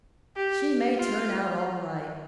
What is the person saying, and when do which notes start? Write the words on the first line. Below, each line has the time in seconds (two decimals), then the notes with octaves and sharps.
She may turn out all right.
0.36 G4
0.96 F4